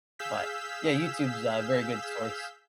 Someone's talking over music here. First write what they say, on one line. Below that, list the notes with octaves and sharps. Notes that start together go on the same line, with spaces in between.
but yeah, YouTube's a very good source,
G#4 F5 E6 G6 B6